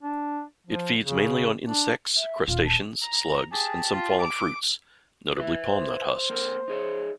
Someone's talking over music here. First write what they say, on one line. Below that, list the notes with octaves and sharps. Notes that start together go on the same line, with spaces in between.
It feeds mainly on insects, crustaceans, slugs and some fallen fruits, notably palm-nut husks.
D4
F3
C#3
D4
E5
D#1 F4
A5
A#5
G4 G#4 A5
F4
D6
E4 B4 E5
C5
C5
A#3 C4 A#4
D#4 G#4 C#5